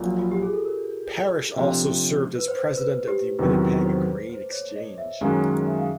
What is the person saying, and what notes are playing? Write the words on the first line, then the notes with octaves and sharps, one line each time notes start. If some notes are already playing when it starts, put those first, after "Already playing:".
Parrish also served as president of the Winnipeg Grain Exchange.
Already playing: A#1 A#2 F#3 F4
F4
G4
G#4
A4
A#4
C3 F3 A3 D4 F4
B4
C5
B4
G4
E2 C3 D#3 F#3 B4
C5
C5
C#5
D#5
E5
F#2 D#3 G#3 C#4 F5
E5
F5